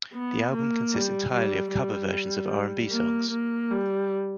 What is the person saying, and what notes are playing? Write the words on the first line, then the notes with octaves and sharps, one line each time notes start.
The album consists entirely of cover versions of R and B songs.
B3
A#3
G3
G3
G3
A#3
A#3
G3